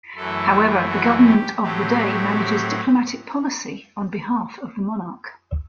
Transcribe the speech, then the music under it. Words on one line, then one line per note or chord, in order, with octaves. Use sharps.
However, the government of the day manages diplomatic policy on behalf of the monarch.
F#2 E3 A3 A4
F#4
G4
A2 F#3 A3 C4 G4